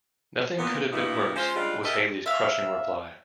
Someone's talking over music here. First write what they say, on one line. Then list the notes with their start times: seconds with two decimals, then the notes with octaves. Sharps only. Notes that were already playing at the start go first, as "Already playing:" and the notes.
"Nothing could have been worse," was Hallie's crushing reply.
0.58 A#2 B3
0.91 E2 G2 B2 A#3 D#4 E4
1.36 G#3 C#4 F4 C5
1.55 C#3 G3 G#3 D4 F4
1.84 G4 A4 A#4 D#5 E5
2.26 E5 F5